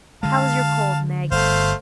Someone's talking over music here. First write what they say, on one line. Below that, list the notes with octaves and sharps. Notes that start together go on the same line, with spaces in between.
How is your cold, Meg?
D3 G#3 F5 A5
G1 A3 C5 F5